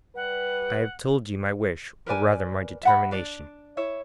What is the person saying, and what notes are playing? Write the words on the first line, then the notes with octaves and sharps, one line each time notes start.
I have told you my wish, or rather my determination.
G3 B4 F#5
A#4 B4 D5 G#5
E5 F#5 B5
D4 D5
E4 C#5 E5